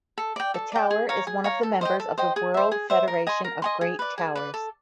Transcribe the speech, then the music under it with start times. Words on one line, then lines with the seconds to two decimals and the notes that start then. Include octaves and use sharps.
The tower is one of the members of the World Federation of Great Towers.
0.18 A4
0.36 D5 G5
0.54 A4
0.72 D5 G5
0.91 G#4
1.09 C#5 F5 A#5
1.27 G#4
1.44 C#5 F5 A#5
1.63 A4
1.81 C5 D#5 G5
2.00 A4
2.18 C5 D#5 G5
2.36 G#4
2.54 C5 E5
2.72 G#4
2.90 C5 E5
3.08 A#4
3.27 D#5 G#5 C6
3.44 A#4
3.62 D#5 G#5 C6
3.81 G#4
3.99 B4 D5
4.18 G#4
4.35 B4 D5
4.54 A4